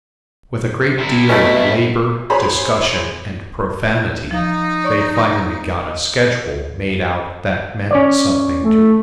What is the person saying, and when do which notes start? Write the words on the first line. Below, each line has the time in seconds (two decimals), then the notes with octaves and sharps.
With a great deal of labor, discussion, and profanity they finally got a schedule made out that meant something to Hugh.
0.98 C3 E4
1.29 B2 A3 C#4 E5
2.30 F#4 G#4 C5 C#5 B5
4.31 F3 D#4 F5
4.84 C#5 D5 C#6
5.87 D#5
7.91 C#4 C#5 D5
8.63 A3